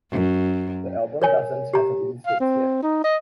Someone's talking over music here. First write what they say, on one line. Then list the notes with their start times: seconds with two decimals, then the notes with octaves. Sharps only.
The album doesn’t have a release date yet.
0.11 F#2
1.22 A#4 C#5 G#5
1.73 G4 A#5
2.26 F5
2.40 C4
2.83 D#4
3.04 D#5